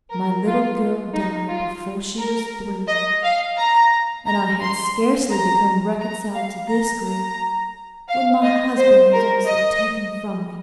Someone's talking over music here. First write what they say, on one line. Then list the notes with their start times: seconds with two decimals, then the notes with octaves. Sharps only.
My little girl died before she was three; and I had scarcely become reconciled to this grief when my husband was also taken from me.
0.10 A#4
0.44 F4
1.14 D#4
1.49 F4
2.18 A#4
2.88 D#5
3.23 F5
3.57 A#5
4.26 A#5
4.61 C6
5.31 A#5
6.00 A#5
6.35 F5
6.69 A#5
7.04 A#5
8.08 F5
8.43 D#5
8.78 C5
9.13 A#4
9.47 D#5